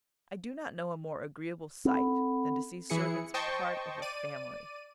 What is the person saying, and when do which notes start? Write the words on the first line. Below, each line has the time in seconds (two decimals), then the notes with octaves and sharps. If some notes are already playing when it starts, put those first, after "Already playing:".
I do not know a more agreeable sight than to see servants part of a family.
1.85 C4 A4 F#5 B5
2.90 E3 E4 G#4 C#7
3.34 C5 D#5 G5 A5 C#6
4.02 D5 D#7